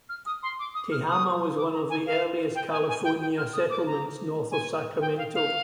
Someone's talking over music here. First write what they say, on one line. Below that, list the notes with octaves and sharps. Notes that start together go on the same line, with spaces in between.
Tehama was one of the earliest California settlements north of Sacramento.
F6
D#6
C6
D6
D#6
F6
D#6
D6
A#5
G#5
F5
G5
G#5
G#5
G5
G5
F6
D#6
D6
A#5
G#5
G5
F5
F5